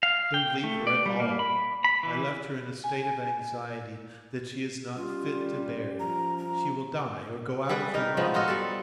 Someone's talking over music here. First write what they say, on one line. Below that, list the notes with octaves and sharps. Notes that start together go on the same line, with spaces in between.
Don't leave her at all; I left her in a state of anxiety, that she is not fit to bear; she will die or go out of her mind.
F5
G5
A3
D5
G3
A#3
B5
B5
E3
G#5
G3 C#4 F4
F3 A#5
A#5
G3 G#4 B4
D#4 A#4 D#5
F3 G#3 B3
F4 F#4 A4 D#5
G3 A4